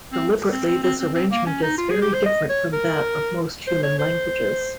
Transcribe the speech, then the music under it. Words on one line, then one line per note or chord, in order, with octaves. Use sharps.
Deliberately, this arrangement is very different from that of most human languages.
C4
C4
C4
C4
C4
C4
A#3
C#4
D#4
F4
G#4
G4
C5
D#5
C#5
A#4
C5
C#5
C5